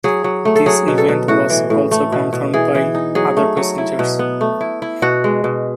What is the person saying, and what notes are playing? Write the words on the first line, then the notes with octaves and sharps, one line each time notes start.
This event was also confirmed by other passengers.
F#3 G#4
F#3
A3
A4
F#3 G#4
B2
A4
B2
A2 F#4
E3
A2
A3
B2
B2
E3 G#4
E3
D#4
F#3 G#4
A3
F#3
E4
B2
B3
A3
E4
E4
B2 F#4
G#3
B2